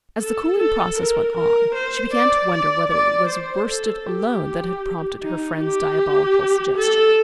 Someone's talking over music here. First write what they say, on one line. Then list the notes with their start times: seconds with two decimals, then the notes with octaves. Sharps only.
As the cooling process went on she began to wonder whether it was worsted alone that had prompted her friend's diabolical suggestion.
0.20 A4
0.58 A4
0.98 A#4
1.35 A#4
1.74 C5
2.13 D5
2.51 D5
2.90 D5
3.29 C5
3.68 A4
4.06 G4
5.23 D#4
5.60 G4
6.76 A4